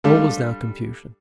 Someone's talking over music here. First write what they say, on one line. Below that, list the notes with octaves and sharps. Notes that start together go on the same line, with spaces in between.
All was now confusion.
G3 D4 F4 A4